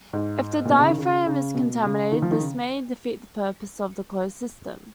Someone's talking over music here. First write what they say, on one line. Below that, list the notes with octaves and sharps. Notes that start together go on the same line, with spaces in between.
If the diaphragm is contaminated this may defeat the purpose of the closed system.
G#2
A#2
B2
C#3
D#3
C#3
C#3
B2
C#3
D#3
F3
D#3
C#3